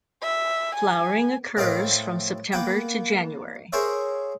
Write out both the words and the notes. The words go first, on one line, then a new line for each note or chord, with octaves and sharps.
Flowering occurs from September to January.
E5
G#5
A2 C4 A#4 D#5 F5 G5
A#3 B3 G5
G#4 A#4 C5 C#5 E5